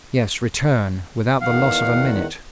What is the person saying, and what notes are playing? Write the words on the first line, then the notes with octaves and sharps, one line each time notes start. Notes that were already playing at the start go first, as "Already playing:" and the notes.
"Yes, return, without the loss of a minute."
E2 D#3 F5 F#5